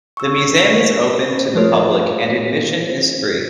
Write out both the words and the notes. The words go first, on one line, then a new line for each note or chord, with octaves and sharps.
The museum is open to the public and admission is free.
C#6 E6
F3 A3 F4 G#4 A#4 C#5